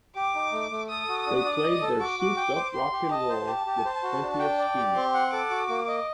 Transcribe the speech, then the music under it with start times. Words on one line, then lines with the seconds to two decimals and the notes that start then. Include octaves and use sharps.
They played their souped up rock and roll with plenty of speed.
0.16 G4 D6
0.35 D#4
0.52 A3
0.71 A3
0.89 A4 D#6
1.09 F#4
1.26 D4
1.45 D5
1.63 D#5
1.82 A4
2.00 F#4 D6
2.19 F#4
2.37 G5
2.56 C5
2.74 G4 C6
2.92 G4
3.11 D#5 A5
3.29 C5
3.47 G4 A5
3.66 G4
3.85 C5
4.03 F#4
4.22 D4
4.39 G5
4.58 D5
4.77 G4
4.95 C4 C6
5.14 F#5
5.33 A4 D6
5.50 F#4
5.69 A#3
5.88 D#5